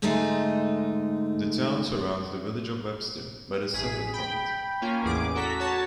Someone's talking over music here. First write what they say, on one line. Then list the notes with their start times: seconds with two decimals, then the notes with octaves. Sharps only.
The town surrounds the village of Webster but is separate from it.
0.02 G#2 D3 G#3 A3 D#4 G#5
3.73 A1 G#4 B6
4.13 G5 B5
4.82 A#3 C#4 F4
5.02 A1 E2 G#4 D6
5.35 F#4 A4 A#5 B6
5.59 F#4 C#5 A5